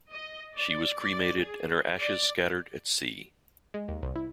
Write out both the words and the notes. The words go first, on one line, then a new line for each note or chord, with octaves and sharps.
She was cremated and her ashes scattered at sea.
D#5
D5
D5
G#4
D5
G#3
D#2
C2
E4